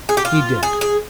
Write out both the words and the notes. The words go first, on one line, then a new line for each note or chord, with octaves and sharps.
"He did."
G#4
G4
F4
G#4
G#4